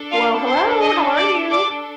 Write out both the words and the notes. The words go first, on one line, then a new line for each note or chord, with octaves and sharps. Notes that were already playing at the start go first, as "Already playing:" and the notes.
Well, hello. How are you?
Already playing: D4 A4
F4 F5
C5 C6
D#5 D#6
D5 D6
D5 D6